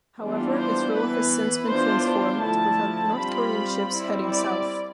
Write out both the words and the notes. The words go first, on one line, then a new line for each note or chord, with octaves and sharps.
However, its role has since been transformed to prevent North Korean ships heading south.
E3 G3 B3 D4 F4
C5
E3 B3 E4 B4
E3 B3 D4 F4 C5
C5
D3 F3 A3 E4 A5
G3 C4 F4 B5
G3 C4 E4
D5